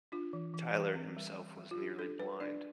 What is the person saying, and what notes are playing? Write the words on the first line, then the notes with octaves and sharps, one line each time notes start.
Tylor himself was nearly blind.
D4 F4
E3
E3
E3
C4
G3
G3
G3
F4
D4 G4
D4 A4
G3 B4
D4 D5